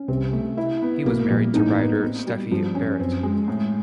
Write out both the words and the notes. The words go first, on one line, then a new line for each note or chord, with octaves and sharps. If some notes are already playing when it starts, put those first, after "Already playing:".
He was married to writer Steffi Barrett.
Already playing: C#4
C2 C3 C4
A3
E4
B3
B1 B2 A#3
A#1 A#2 G3
A1 A2 D#4
B3
C4
G3
G2 F3
C#4
F#2 C4
G#3
A2